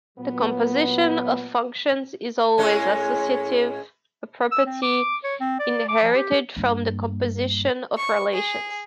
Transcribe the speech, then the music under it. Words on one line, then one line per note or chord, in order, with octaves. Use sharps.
The composition of functions is always associative-a property inherited from the composition of relations.
A#2 F#3 B3
A2 G#3 C#4
E6
C4
D6
C#5
C4
D5
D6
F3
G4
G2 A#3
C#6
G#4